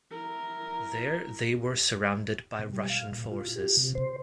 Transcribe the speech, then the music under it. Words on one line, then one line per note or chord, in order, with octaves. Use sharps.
There they were surrounded by Russian forces.
E4 A#4
B2
G3
F5
A#2
F4
G4
C3
C5